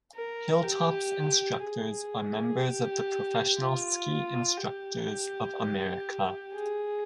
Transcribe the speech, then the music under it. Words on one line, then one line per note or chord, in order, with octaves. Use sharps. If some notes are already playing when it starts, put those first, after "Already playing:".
Hilltop's instructors are members of the Professional Ski Instructors of America.
A#4
G4
G#4
G4
F4
G4
G#4